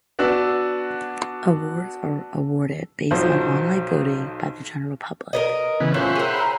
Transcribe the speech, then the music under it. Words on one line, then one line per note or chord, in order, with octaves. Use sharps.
Awards are awarded based on online voting by the general public.
B3 D4 F#4 E6
B1 F3 F#3 C5
A#4 B4 D#5
C#3 E3 B3
A2 A#3 C#4 F4 C5 E5 F#5 C#6
G#4 A#4 G5
C#5 A#5 B5